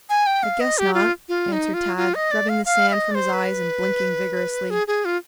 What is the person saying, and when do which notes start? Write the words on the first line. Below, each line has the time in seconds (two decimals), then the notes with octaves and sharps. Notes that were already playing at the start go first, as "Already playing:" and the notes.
"I guess not," answered Tad, rubbing the sand from his eyes and blinking vigorously.
0.09 G#5
0.27 G5
0.43 F5
0.60 D#5
0.78 G4
0.94 F4
1.29 F4
1.52 D#4
1.74 F4
1.97 F4
2.15 D#5
2.31 D5
2.49 F5
2.65 F5
2.88 F5
2.93 D#5
3.11 D5
3.15 C5
3.34 B4
4.70 G#4
4.87 G#4
5.05 F4